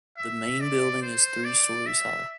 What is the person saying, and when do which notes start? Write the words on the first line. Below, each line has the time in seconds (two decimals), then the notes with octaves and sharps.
The main building is three stories high.
0.17 E5
0.61 D5
1.02 C5
1.44 D5
1.86 E5